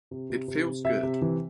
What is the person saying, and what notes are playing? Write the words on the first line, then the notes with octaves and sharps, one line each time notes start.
It feels good.
C3
C3
C3
C3
C3 E5
C3
E3